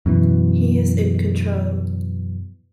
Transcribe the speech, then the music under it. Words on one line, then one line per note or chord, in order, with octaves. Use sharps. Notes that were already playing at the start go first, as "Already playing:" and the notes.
He is in control.
F#2 B2 E3